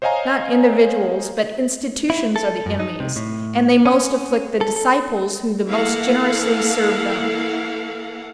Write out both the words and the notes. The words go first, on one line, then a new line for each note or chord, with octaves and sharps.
Not individuals but institutions are the enemies, and they most afflict the disciples who the most generously serve them.
C5 C#5 D#5 F5 G#5 A#5
E4
A4
F#2
D#4
C3
A2
C#4
A4
A4
E3 A#3 E4 A4 F5 F#5